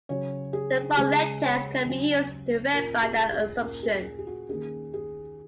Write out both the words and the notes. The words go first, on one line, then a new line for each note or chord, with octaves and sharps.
The Bartlett test can be used to verify that assumption.
C#3 F#3 C#4 C#5
G#4
C#3 G#3 C#4 G#4
C#5
C#3 F#3 C#4
A#2 A#3 C#4 A#4
G#4
G#4
A#2 A#3 C#4 A#4
G#4
G#4
F#4
D#3 A#3 C#4 G#4
G#4